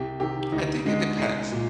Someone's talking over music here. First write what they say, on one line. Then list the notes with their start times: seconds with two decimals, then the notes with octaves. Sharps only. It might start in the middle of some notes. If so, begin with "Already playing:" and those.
I think it depends,
Already playing: C2 G4
0.20 C3 D#3 G4
0.52 D2 D#4
0.85 D3 G#3
1.18 C2 G#3
1.51 A#2